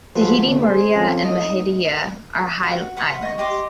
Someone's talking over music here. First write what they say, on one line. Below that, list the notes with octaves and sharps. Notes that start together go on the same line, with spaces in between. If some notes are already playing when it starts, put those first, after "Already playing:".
Tahiti, Moorea, and Mehetia are high islands.
F3 G#3 F#4 A4 B4 C5
D3 A3 B3
G#4 C5
F3 C4 C#4 A4
D#4 D#5
F#4
B4 F#5 C6 C#6
D#5 C#6
G4 D#5 C6 D6